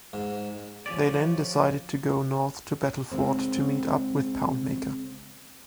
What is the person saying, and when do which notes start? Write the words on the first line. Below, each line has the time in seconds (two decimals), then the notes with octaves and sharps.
They then decided to go north to Battleford to meet up with Poundmaker.
0.13 G#2
0.86 F3 C#4 G4 D5
3.12 C#3 G#3 C4